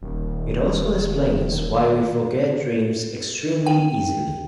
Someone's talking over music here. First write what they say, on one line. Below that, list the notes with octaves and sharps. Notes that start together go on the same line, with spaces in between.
It also explains why we forget dreams extremely easily.
D#1 D#3
G5